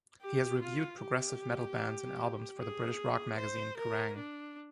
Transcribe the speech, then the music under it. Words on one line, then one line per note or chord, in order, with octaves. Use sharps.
He has reviewed progressive metal bands and albums for the British rock magazine Kerrang!
G4
F4
G4
G#4
C5
A#4
D4